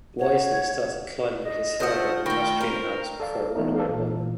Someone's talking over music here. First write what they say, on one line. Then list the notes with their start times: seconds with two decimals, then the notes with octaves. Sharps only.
Wiessner started climbing with his father in the Austrian Alps before World War One.
0.19 C#5 F#5
1.43 D#5
1.80 A3 F4 C5 C#5 F#5 D#6 A#6
2.26 D#3 A3 G5 B5 C#6 A#6
2.60 C4 A#4
3.20 A4 D5 F5
3.56 E3 A3 B3 D#4
3.76 A4 A#4 D5 F5
3.88 A1 A#2 E3